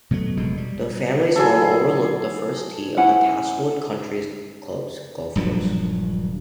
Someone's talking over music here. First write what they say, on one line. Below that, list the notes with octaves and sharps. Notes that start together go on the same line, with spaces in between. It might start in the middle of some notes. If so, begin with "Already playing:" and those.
The family's home overlooked the first tee of the Castlewood Country Club's golf course.
B2 F#3 G#3 A3
F1 B2 G#3
G3
F#3 E4 G#4 A4
C#4 E4 F#5 G#5
D#1 G2 F3 F#3